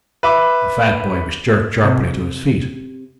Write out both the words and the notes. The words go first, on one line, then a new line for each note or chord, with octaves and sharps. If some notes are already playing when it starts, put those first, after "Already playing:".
The fat boy was jerked sharply to his feet.
B4 E5 D6
C3